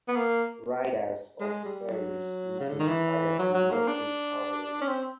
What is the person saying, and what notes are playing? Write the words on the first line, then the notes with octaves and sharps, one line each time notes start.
Riders of the ferries will be required to wear face coverings.
B3
A#3
G#3
G3
F#3
C#3
D3
D#3
E3
F#3
F#3
A#3
D4
C#4
C4